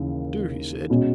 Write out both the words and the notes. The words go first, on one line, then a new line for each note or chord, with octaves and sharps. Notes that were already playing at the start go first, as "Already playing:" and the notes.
"Do!" he said.
Already playing: D#2 C#3 E3
B2 G#3 C#4